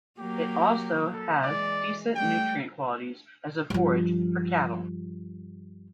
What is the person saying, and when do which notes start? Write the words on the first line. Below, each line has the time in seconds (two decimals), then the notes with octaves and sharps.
It also has decent nutrient qualities as a forage for cattle.
0.19 F#3 A#3 G4
1.13 A4
1.43 E3 G#3 D5
2.15 G3 A3 G5
3.70 G2 F3